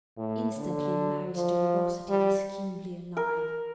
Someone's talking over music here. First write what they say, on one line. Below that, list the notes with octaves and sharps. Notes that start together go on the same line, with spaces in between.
Instantly Mary's generosity was keenly alive.
A2
D3
F3
G3
A#4